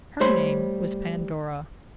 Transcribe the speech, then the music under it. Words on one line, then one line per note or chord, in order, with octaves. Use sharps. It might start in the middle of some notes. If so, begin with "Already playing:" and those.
Her name was Pandora.
G3 A3 C5 C#5 B5 C6